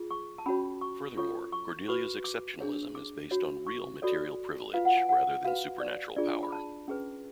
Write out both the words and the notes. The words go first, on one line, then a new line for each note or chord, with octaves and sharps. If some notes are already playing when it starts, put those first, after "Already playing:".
Furthermore, Cordelia's exceptionalism is based on 'real' material privilege rather than supernatural power.
Already playing: F4 G#4
C#6
A5
C#4 F#4 C#5 B5
C#6
F4 A4 C#5 C#6
C#6
F#4 B4 C#6
D6
D4 G#4 C#5
D6
F#4 C#5
C#6
F#4 A4 C#5 D5
F4 B4 F5
F#5
G#5
F#5
F#4 B4 F5
D5
D4 F4 G#4 D5
B5
A5
C#4 G#4 B4